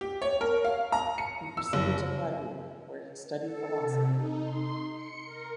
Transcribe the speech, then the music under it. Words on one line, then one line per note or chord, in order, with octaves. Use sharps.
He proceeded to Padua, where he studied philosophy.
G4
C#5
A#4
F5
A#5
C#7
E6
F#1
A4
C3
D#4
C6
C#7
A#4